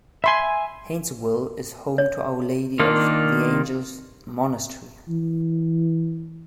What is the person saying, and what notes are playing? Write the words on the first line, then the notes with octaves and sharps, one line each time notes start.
Hanceville is home to Our Lady of the Angels Monastery.
E5 G#5 B5 C6
C#5
D#3 A#3 D4 F4
E3